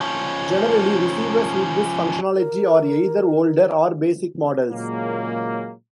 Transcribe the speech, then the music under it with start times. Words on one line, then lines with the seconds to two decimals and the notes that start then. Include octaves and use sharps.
Generally, receivers with this functionality are either older or basic models.
0.01 F3 C#4
2.37 A#4
4.71 A#2 C#3 F#3 G#3 A#3